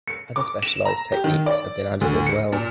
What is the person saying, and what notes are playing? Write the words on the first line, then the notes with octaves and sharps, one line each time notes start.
Other specialized techniques have been added as well.
C#7
D6
E7
A#5
G4
D#3
D5
D2
C#7
A#2